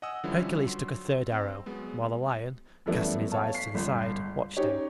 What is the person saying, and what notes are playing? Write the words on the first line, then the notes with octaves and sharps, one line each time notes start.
Hercules took a third arrow, while the lion, casting his eyes to the side, watched him.
D#5 F#5 G#5 D#6 E6
D3 E3 F3 G3 C#4 E4
F#3 C6
C4
F#3 G#3 B3
F#2 E3 G3 A3 B3 E4
C#5 F5 A5
B6 C7
G1 C#2
C#4 D#4 G4 C#5